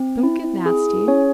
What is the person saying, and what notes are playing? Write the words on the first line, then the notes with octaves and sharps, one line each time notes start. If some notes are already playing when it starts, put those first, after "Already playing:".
Don't get nasty.
Already playing: C4
E4
G#4
C#4 C#5